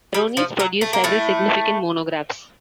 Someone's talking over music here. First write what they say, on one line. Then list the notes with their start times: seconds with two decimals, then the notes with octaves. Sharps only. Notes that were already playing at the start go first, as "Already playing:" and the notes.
Veronese produced several significant monographs.
0.14 G3
0.37 F3
0.59 F#3
0.81 A3
0.93 A#3
1.04 A2 A3